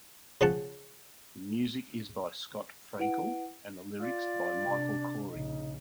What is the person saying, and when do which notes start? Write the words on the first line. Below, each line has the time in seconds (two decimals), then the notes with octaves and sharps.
The music is by Scott Frankel and the lyrics by Michael Korie.
0.41 C#3 F3 C#4 F#5 A5
2.99 E4 B4 F#5 D7
4.01 F4 D5
4.64 C3 D4
5.31 A#1 C#3 D#4